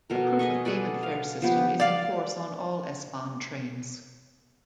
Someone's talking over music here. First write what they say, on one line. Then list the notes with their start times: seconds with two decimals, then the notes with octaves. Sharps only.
A proof-of-payment fare system is in force on all S-Bahn trains.
0.10 B2 A4 A#4
0.39 G#4 B4 D#5 C#6
0.65 G#4 A4 B4 D5
1.03 F5
1.42 F3 B3 G4
1.80 D5 F5